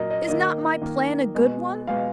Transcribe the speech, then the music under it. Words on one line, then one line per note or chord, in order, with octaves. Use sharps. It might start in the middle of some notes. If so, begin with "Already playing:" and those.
Is not my plan a good one?'
Already playing: A#2 F#3 A#3 A#4 D#5
D#5
D#3 A#3 D#5
D#3 A#3
B2 G#3 B3
B2 G#3 B3 F5